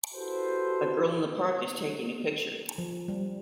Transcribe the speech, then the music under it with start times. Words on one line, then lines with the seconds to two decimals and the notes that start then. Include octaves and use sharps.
A girl in the park is taking a picture.
0.14 E4 F#4 G4 A4 B4 C5
2.78 F3
3.08 G3